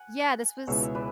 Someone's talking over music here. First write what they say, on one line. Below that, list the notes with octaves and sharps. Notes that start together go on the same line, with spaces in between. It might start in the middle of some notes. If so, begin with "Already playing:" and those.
Yeah, this was
Already playing: F#5 G#5
C#2 B2 G#3 B3 E4 C#5 E5
E5
B4 D5